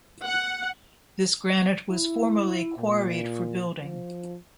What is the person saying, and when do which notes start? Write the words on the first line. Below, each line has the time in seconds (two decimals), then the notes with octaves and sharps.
This granite was formerly quarried for building.
0.25 F#5
1.90 E4
2.78 A#2
3.82 F3